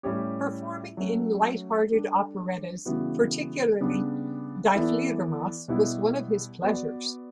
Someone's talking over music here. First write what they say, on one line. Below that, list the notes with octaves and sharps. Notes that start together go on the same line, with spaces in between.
Performing in light-hearted operettas, particularly "Die Fledermaus", was one of his pleasures.
A2 G3 C#4 G4 C#5
F#3 A3 C#4 F#4
G3 D4 A4
C#3 E3 G3 B3 F#4
C#3 G3 B3 D4
E3 B3 E4 A4 D5
B2 G3 B3 E4
B3 F#4 B4 D5